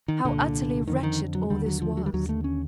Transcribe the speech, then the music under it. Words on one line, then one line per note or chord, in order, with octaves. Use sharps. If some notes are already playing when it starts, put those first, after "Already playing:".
How utterly wretched all this was.
D#3
C2 A#2 D3
F2 D3 D#3
D#3
F#3
D#2 D3 G3
F#3
F3
F#3
G3
D#2 D3 F#3
A3
C#4